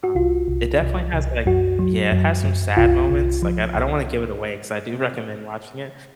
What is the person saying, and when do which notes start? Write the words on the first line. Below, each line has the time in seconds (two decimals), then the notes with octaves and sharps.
um. It definitely has, like Yeah, it has some sad moments, like, I I don't wanna give it away 'cause I do recommend watching it
0.04 F#4
0.15 C2 F4
0.48 C2
0.81 C2
1.13 C2
1.46 F#2 F#4
1.79 F#3
2.12 F#2
2.44 F#2
2.77 C2 F4
3.10 C2
3.42 F3
3.75 C2